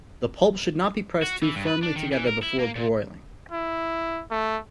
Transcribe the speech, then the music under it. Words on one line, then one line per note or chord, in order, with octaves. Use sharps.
The pulp should not be pressed too firmly together before broiling.
F#4
E3
G2
B4
D4
D#3
E3
A#4
E4
A#3
A#2
E4
A3